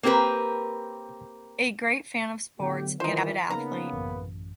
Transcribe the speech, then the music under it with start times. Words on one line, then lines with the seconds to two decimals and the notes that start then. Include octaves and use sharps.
A great fan of sports, and an avid athlete.
0.03 A#3 C4 G4 A#4 B4
2.60 A2 D3 F#3 B3 G4
3.00 D#3 E3 D#4 F4 C5
3.50 C#3 A#3 B3 D#4 A#4 A#5
3.93 A1 F#2